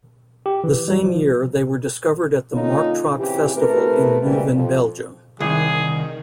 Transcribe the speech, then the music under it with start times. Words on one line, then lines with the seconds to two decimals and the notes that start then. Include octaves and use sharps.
The same year they were discovered at the Marktrock festival in Leuven, Belgium.
0.46 G4
0.64 E3
0.88 G3
1.04 F3
2.52 D3 A#3 C#4 D#4 F4
3.18 C#3 E3 F3 C4 G4
3.56 C3 A3 E4 A#4 B4
4.22 G#2 B2 E3 G3 A#3 C4
4.54 F2 F3
5.40 C2 D#3 G#4